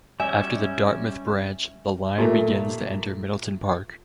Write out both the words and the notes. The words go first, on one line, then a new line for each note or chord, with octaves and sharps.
After the Dartmouth Branch, the line begins to enter Middleton Park.
G3 C#4 E5 G#5
A#2 A3